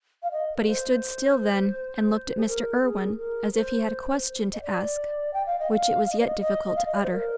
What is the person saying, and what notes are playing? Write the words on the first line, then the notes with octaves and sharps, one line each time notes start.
But he stood still then, and looked at Mr. Irwine, as if he had a question to ask which it was yet difficult to utter.
F5
D#5
A#4
C5
G#4
A#4
G#4
A#4
C5
D#5
D5
G5
F5
D#5
F5
F5
D#5
D5
D#5
D#5
F5
D#5
D5
C5
A#4